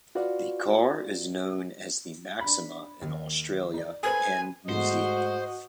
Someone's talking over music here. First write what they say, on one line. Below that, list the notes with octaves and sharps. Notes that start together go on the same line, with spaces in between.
The car is known as the Maxima in Australia and New Zealand.
F4 F#4 B4 D5 F5
D4 B5
D#2
D#4 D5
A4 B4 C5 G#5
G#2 A3 F#4 C5 D#5